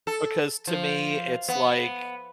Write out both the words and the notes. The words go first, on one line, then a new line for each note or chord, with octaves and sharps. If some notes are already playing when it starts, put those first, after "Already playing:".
because to me it's like
A4
F3
B3